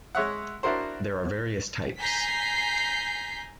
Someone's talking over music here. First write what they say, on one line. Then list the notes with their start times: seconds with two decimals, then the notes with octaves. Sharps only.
There are various types.
0.15 G#3 C#5 E5 F#5
0.63 D4 E4 F#4 A#4 C5
1.99 G#5 A#5 G6 B6 C7